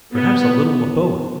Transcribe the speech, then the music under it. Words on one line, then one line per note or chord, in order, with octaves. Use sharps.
Perhaps a little of both.
B3